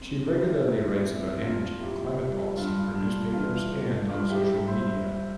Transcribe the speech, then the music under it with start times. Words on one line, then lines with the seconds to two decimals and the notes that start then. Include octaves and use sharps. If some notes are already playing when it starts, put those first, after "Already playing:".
She regularly writes about energy and climate policy for newspapers and on social media.
Already playing: C4
0.26 A#2 E4 G4
0.65 A#2
1.03 C4 E4
1.42 A#2 D4 F4
1.80 A#2 E4 G4
2.18 G3
2.57 G2 D4 F4
2.95 G2 D4 F4
3.33 E3 D4 F4
3.71 A3
4.10 G2 D4 F4
4.30 E4 G4
4.49 G2
4.67 C5 E5
4.87 G2